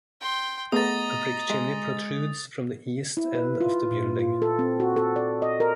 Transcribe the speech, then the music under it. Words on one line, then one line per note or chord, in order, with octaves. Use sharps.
A brick chimney protrudes from the east end of the building.
G5 C6
A3 B3 G#4 D#5 A#5 D#6 A6
G#3
E4
B4
F4
A#2
F4
A4
C4
F#4
A4
D5
D#5
A#4